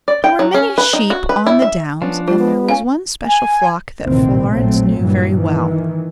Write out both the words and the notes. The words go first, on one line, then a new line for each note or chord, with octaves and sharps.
There were many sheep on the downs, and there was one special flock that Florence knew very well.
D5
G5
F#3
C#4
B4
D#4
F#4
B4
E4
E5
F3 B3 C#4 D4
G3 F4 C5
B3
C#4 F5 G#5
G#5
F1 A#1 A2 D#3 E3 C4
A#1 F#3 A3 C4
G2 A#2 E3 F#3 G3
D#3 E3